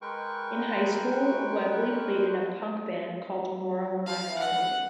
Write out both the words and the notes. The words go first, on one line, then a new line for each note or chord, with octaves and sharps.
In high school, Webley played in a punk band called Moral Minority.
G#3 A#4 B4 G5 C#6
F5
F#5